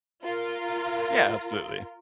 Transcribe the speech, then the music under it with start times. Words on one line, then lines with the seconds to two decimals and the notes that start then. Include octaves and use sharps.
Yeah, absolutely.
0.23 F4 A#4